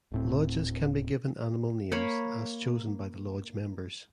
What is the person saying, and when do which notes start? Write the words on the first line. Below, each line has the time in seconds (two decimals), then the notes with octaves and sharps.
Lodges can be given animal names as chosen by the Lodge members.
0.12 D1 A2 C4
1.92 A#3 C#5 B5